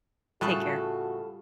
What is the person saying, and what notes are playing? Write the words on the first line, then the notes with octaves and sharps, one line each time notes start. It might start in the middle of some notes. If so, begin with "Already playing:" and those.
Take care.
A2 C#3 G3 F4 F#4 A4 F#6